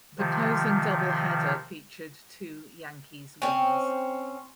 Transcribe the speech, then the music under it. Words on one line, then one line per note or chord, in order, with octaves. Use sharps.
The closing doubleheader featured two Yankees wins.
C3 D#3 F3
C4 C#4